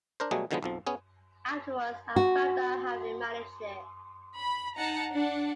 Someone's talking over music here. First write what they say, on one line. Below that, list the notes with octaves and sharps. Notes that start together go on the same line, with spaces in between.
Afterwards I found out how it managed it.
D4 A#4 C5
B2 F#3 G3 A3 G#4
B2 D3 D#3 F3 G#3 B3
B1 F2 F3
B3 C#4 G#4
F#4
B5
D#4 F#5 A5 A#5
D4 F#5